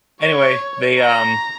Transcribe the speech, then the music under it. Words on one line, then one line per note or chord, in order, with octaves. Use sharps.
anyway, they, um
C#5
A#5